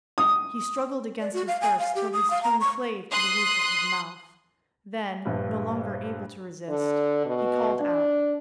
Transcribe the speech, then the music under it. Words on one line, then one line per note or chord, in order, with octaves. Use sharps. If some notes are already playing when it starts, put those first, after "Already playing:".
He struggled against his thirst till his tongue clave to the roof of his mouth; then, no longer able to resist, he called out.
D#6
D5
F#4
F5
G#5
F5
G4
D#6
F5
A#5
C#6
C6 D#6 F#6
A#1 G2
D3
B2
D4